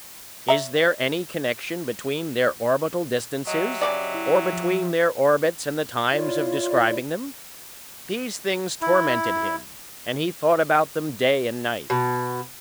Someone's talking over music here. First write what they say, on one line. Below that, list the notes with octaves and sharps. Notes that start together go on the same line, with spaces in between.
Is there any connection between their orbital distances, or between their orbits and the times of describing them? These things tormented him, and he thought about them day and night.
C#5 E5 A#5
F#3 G4 D#5 E5
C#3 B3 D5
E4
F3
E4 F4 C#5 D5
E4
B2